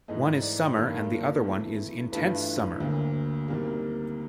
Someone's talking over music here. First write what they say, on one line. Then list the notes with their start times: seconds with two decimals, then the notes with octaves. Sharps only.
One is summer and the other one is intense summer!!
0.08 G#2 E3 A3 D#5
0.42 D5
0.76 G2 D#3 F#3 A#3 A4
1.45 C3 E3 A3
2.13 G2 E3 A3 D4 F4 B4
2.80 D2 D3 F#3 A#3
3.48 D2 C3 D#3 G3 A#3